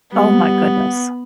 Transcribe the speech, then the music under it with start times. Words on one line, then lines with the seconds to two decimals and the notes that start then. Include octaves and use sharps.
Oh my goodness.
0.14 G3 B3